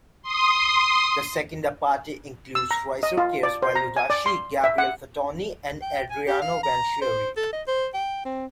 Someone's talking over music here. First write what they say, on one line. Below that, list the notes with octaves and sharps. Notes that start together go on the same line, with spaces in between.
The "Seconda parte" includes ricercares by Luzzaschi, Gabriele Fattorini and Adriano Banchieri.
C6 D#6
E6
A#5
D#5
F4
D5
C5
A#5
G#5
D5
C6
E5
F#5
G5
G#5
G4
F5
A#5
C5
A4
D#5
C5
G5
C4